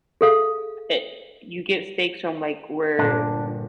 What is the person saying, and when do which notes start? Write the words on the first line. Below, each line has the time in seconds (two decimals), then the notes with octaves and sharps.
it you get steaks from, like, where
0.21 G#4 A4 F5
2.99 G1 A#2 D4